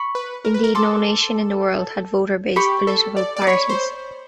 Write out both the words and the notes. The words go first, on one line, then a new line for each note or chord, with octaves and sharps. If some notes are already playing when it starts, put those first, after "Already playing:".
Indeed, no nation in the world had voter-based political parties.
Already playing: B5 C#6
B4
A#4
B4
A#4
A4 C6 D6
G4 B5 C#6
A4
D5
D5
D6
C#5 B5 C#6
C5